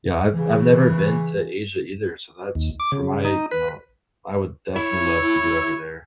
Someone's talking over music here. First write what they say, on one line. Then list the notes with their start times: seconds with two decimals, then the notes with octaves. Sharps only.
yeah, I've I've never been to Asia either, so that's for my you know, I would definitely love to get over there.
0.33 C#3 E3
2.55 D#2
2.80 D6
2.92 C#3
3.25 D#4
3.51 B4
4.76 E4 C#5